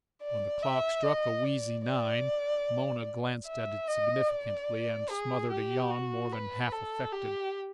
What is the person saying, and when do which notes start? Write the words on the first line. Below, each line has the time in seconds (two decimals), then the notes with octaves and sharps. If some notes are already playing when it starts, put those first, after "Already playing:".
When the clock struck a wheezy nine Mona glanced at it significantly and smothered a yawn more than half affected.
0.22 D5
0.62 E5
1.03 D#5
1.44 D5
1.84 D5
3.47 E5
3.88 D#5
4.28 D5
5.09 G#4
5.51 G4
5.90 F#4
6.32 B4
6.72 A4
7.12 G4